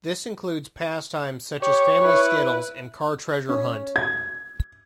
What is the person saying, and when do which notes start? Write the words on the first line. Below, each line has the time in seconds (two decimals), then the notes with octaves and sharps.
This includes pastimes such as family skittles and car treasure hunt.
1.62 G4 C#5
2.02 E4 B4
3.49 C#4
3.96 G#6